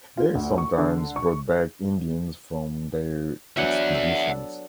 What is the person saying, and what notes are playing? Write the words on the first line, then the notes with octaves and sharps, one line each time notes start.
They sometimes brought back Indians from their expeditions.
F4
D2
C#6
D3
C#6
F#3 B3 D4 E5 F#5
A4